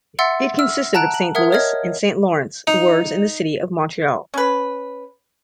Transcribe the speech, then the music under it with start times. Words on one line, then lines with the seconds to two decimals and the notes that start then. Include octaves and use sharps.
It consisted of Saint Louis and Saint Lawrence wards in the city of Montreal.
0.19 E5 F#5 C6 E6 A6 C#7
0.59 E5 E6 F6
0.94 F#5 A5 A#5 F#6 D7
1.14 F#7
1.35 A#4 E5 F#5 D#6 G#6
1.52 C#5 D#5 F6 G#6
2.67 D#4
4.34 C#4 B4